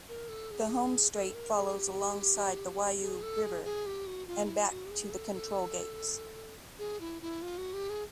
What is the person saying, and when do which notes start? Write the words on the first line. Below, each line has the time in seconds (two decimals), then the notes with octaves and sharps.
The home straight follows alongside the Waiau River and back to the Control Gates.
0.09 A#4
0.29 A4
0.51 G#4
1.14 A4
1.34 A#4
1.55 G#4
1.76 G4
3.01 G#4
3.23 A4
3.43 G#4
3.64 G#4
3.86 G4
4.07 F#4
4.27 F4
4.45 D#4
4.48 E4
4.59 F4
4.70 F#4
4.86 G4
4.90 G#4
5.12 A4
5.33 A4
6.79 G#4
7.01 E4
7.22 E4
7.42 F4
7.58 F#4
7.73 G4
7.89 G#4